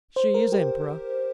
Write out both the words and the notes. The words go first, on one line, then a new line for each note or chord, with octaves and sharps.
"She is emperor."
C5
A#4
G4